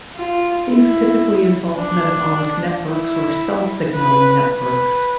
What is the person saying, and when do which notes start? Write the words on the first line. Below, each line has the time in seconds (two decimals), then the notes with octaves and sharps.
These typically involve metabolic networks or cell signaling networks.
0.16 F4
0.70 E4
1.78 D4
2.87 E4
3.95 B4
4.49 B4